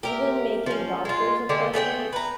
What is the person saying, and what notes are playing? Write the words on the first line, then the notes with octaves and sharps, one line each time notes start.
even making doctor's appointments.
G4 A#4 E5
F3 C#4
G#3 F4
D3 G#3 A3 G4
A3 G#4 C#5 G5
B4 A#5